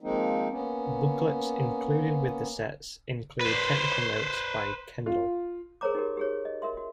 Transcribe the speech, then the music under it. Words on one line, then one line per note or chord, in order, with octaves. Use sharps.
Booklets included with the sets include Technical Notes by Kendall.
D#3 F3 G#3 A#3 C4 D#4
A#3 B3 C#4
B4 C5
F4
G#4 A#4 C5 C#5 A#5 D6
D#4 F#4 G4 A#4
G4 G#4 C#5
D#5
F#4 A#4 E5 C6
F#4